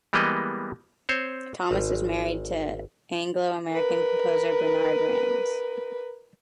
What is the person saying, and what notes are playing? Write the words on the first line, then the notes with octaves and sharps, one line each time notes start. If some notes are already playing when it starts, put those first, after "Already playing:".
Thomas is married to Anglo-American composer Bernard Rands.
E3 G3 G#3 A#3 B3 D#5
C4 C5 C#5
G#1
A#4 B4